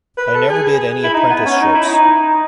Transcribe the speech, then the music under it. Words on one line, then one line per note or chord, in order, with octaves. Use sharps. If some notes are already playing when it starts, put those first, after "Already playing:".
I never did any apprenticeships.
B4
A4
G#4
E4
D#4
B3
C#4
D#4
E4
D#4